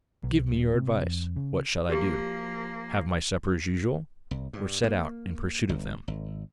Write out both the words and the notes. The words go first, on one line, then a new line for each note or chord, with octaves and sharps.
'Give me your advice; what shall I do--have my supper as usual, or set out in pursuit of them?'
B1
D#1
C3
F2
C#3
F3 A#3 F#4 G4
C2
G2
A#3
G1
G#1